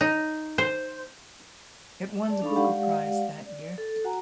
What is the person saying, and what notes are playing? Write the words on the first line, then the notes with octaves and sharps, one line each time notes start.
It won the Booker Prize that year.
D#4
C5
D5 A5
D4 D#4 A4 F5 B5 C#6
G#3 G4 D5 F5 F#5
D5
A4
F#4 F#5 G#5 A#5